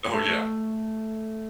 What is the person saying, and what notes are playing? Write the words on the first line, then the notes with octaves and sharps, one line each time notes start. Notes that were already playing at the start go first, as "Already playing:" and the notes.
Oh, yeah.
A3